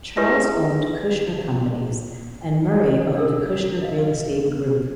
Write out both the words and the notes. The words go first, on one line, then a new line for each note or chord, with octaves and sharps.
Charles owns Kushner Companies and Murray owns the Kushner Real Estate Group.
E4 G4 G#4 B4 C#5 E5
D4 A4 A#4 E6
D#5 F5